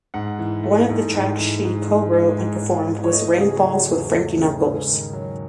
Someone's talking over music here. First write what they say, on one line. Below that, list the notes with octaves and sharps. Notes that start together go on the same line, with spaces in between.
One of the tracks she co-wrote and performed was "Rainfalls" with Frankie Knuckles.
G#2 F#5
E3
A3
G#2
G#2
E3
G#2
E3
G#3
G#2
G#2
E3
C#5
A3 D#5
C#3 G#4
F#4
F#3
E2
A3
C#3
G#2
D#3
F#3